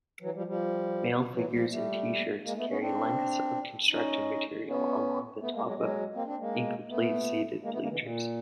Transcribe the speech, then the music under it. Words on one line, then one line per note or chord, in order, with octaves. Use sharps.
Male figures in Tshirts carry lengths of construction material along the top of incomplete seated bleachers.
E3 F#3
F3 G3
F3 G3
E3 F#3
F3 G3
G3 A3
G#3 A#3
A3 B3
B3 C#4
C4 D4
C#4 D#4
B3 C#4
A3 B3
G#3 A#3
F#3 G#3
F#3 G#3
A#3 C4
C4 D4
G#3 A#3
A3 B3
G#3 A#3
A3 B3
G#3 A#3
D3 E3
A#2